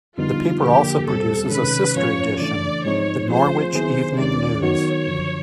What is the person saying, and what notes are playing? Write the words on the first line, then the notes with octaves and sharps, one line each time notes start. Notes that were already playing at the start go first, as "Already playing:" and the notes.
The paper also produces a sister edition, the "Norwich Evening News".
F2 D3 G3 B3 D#4 F4
D3 F3 A#3 G4
E2 B2 G3 C4 A4
C3 D#3 G#3 C#4 B4
G#2 F3 A3 C#4 F4 C#5
C#3 E3 A3 D4 D5
G#2 F3 G#3 C4 D#4 C#5
F3 A3 C4 F4 G#4 C5
D#3 F#3 B3 E4 G#4 C5
D#2 D#3 G#3 C#4 D5
D#3 F#3 B3 D#4 F#4 C#5
F#2 D3 F3